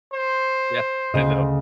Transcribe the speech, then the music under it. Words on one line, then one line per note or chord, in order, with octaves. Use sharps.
Yeah, I know.
C5
D2 C#3 D#5